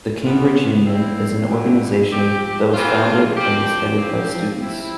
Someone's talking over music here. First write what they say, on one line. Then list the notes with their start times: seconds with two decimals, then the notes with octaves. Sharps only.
The Cambridge Union is an organisation that was founded and is headed by students.
0.23 E3 B3 F4
0.86 A2 G3 C4 E4
1.49 B2 G3 B3 E4 G4
2.10 F3 C4 G4
2.73 C3 E3 B3 F4
3.36 F3 C4 G4
3.97 A2 F3 C4 G4
4.61 C3 F3 C4 E4